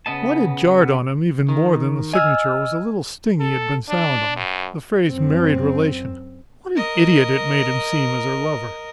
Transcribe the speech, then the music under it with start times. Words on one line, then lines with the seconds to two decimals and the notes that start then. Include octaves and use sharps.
What had jarred on him even more than the signature was a little sting he had been silent on--the phrase "married relation"--What an idiot it made him seem as her lover!
0.06 C#3 B3 D#5 A5
1.49 D#3
2.13 D#5 G#5 E6 F6
3.40 A4
3.89 D4
4.36 F#2
5.09 F#2 C4
6.75 A#4 D#5